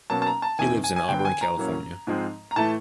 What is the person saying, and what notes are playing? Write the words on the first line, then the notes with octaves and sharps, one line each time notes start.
He lives in Auburn, California.
B2 F#3 A#3 C#4 A5
A5
A#5
A5
E2 C3 D#3 G#5
G#5
G#5
D3 F#3 B3 G5
G5
G#5
A#5
A2 F#3 A#3 C#4
G#2 F3 G#3 C4
A#5
A2 E3 A3 A5